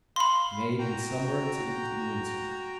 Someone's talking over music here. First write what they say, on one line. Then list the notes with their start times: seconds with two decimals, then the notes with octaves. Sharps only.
Made in summer to eat in winter.
0.16 F5 B5 C6
0.79 F#4 G5 A#5